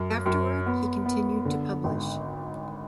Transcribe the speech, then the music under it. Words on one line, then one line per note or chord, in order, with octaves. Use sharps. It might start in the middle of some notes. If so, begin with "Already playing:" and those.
Afterward, he continued to publish.
Already playing: F#2
F#2
B3
B3
D3
G#1